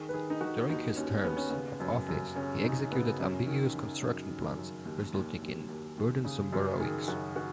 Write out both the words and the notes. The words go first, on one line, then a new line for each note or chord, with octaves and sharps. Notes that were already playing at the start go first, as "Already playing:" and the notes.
During his terms of office he executed ambitious construction plans resulting in burdensome borrowings.
Already playing: D#3 G#4
B4
D#3 G#4
D#4
D#3 F#4
D#2 D#4
D#2 C#4
D#2 B3
C#4
C#3 B3
F#2
F#2
C#3 C#4
C#3 D#4
C#3 B3
F#2 C#4
D#3
D#3
F#2
D#3
F#2
D#2
D#2
D#2
D#2
D#2
C#3
F#2
D#3 G#4
F#2 F#4
F#4